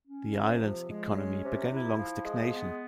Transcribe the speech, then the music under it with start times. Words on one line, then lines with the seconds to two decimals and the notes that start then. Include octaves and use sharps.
The island's economy began a long stagnantion.
0.08 C#4
0.35 C3
0.62 F3
0.89 G#3
1.16 C#4
1.43 C3
1.70 E4
1.98 F3
2.25 G#3
2.51 B3